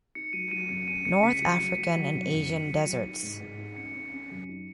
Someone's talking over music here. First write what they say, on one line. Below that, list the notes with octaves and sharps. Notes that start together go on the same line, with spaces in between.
North-African and Asian deserts.
D#4 C#7
F#3 D#7
F#3 D#7
F#2 C#7
C#4 D#7
C#4 C#7
C#3 B6
F#3 C#7
F#3
F#3
F#3
B1
F#1
D#3
F#3
F#3
D#4
G#2
G#2
D#4
C#4 C#7
C#4
C#4
F#2
D#4